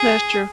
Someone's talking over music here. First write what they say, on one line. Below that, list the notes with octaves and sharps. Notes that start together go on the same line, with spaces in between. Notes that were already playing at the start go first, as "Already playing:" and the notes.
That's true.
Already playing: G#4